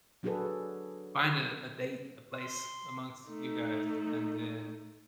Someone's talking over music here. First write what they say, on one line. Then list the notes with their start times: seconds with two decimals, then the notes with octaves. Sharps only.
find a a date, a place amongst you guys and then
0.23 F#3 D4 F#4 G#4 A4 B4
2.33 C6
3.27 A3 D#4